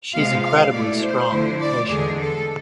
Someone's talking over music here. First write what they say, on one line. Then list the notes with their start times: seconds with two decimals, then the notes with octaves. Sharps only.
She's incredibly strong, patient.
0.13 C3 G#3 B3 F4 F5
0.43 F5
0.71 B2 A3 E4 D5
1.01 C5
1.30 D3 F3 A3 E4
1.60 D5
1.89 E2 D3 G#3 D4 G#4
2.19 A4